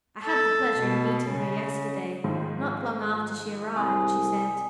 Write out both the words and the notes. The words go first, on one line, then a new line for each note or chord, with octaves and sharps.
"I had the pleasure of meeting her yesterday, not long after she arrived," she said.
A4
B2
C#3
G#2 D#3 F3
C2 G#5 D#6